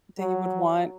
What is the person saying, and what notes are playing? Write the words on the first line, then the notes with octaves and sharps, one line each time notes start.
that you would want?
F#3